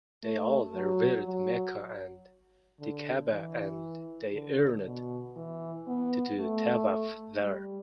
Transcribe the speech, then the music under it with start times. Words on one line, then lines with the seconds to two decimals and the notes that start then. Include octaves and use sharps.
They all revered Mecca and the Ka'bah and they yearned to do tawaf there.
0.23 A3
0.75 F#3
1.26 F#3
2.80 D3
3.32 E3
4.34 D3
4.85 B2
5.36 E3
5.88 B3
6.39 A3
7.42 G3